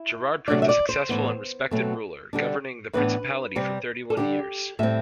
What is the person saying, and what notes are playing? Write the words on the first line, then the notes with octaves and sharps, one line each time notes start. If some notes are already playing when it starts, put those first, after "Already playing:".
Gerard proved a successful and respected ruler, governing the principality for thirty-one years.
Already playing: E4
C3 F#3 A3 D4 D5
E5
D5
C5
A2 E3 B3
B2 F#3 A3 C4
D3 G3 D4
A2 E3 B3 D4 B4
C3 G3 C4
A4
D3 G3 B3 D4 G4
A2 G3 C4 E5